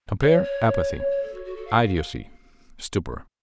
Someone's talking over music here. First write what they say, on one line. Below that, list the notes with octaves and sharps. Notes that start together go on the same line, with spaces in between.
Compare APATHY; IDIOCY; STUPOR.
C#5
C#5
C#5
A4
F#4
F#4
A4
F5